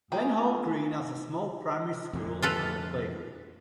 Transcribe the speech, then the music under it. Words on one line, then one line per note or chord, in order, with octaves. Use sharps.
Benhall Green has a small primary school and a playgroup.
A3 A#3 F4 G#4 G5 G#5
F2 A#2 D3
F4 A4 B4